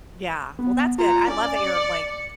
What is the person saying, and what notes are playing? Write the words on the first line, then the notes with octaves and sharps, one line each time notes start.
Yeah. Well that's good, I love that you're like
B3
F4 A#5
C#4 D5
C#7